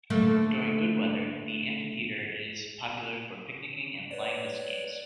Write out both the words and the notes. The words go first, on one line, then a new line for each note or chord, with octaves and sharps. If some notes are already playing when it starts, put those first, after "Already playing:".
During good weather, the amphitheater is popular for picnicking and flying disc games.
D3 A3 A#3
B4 C#5 D5